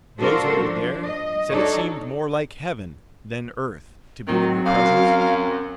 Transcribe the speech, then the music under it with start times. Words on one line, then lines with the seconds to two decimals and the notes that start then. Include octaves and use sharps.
Those who were there said it seemed more like heaven than earth to be in her presence.
0.20 D4 F4 F#4 A4 A#4 C5
0.58 F3 D4
1.06 D#5
1.49 D4 D#4 F#4 A4 C#5 D5
4.27 D#3 F#3 C4
4.65 F#2 F5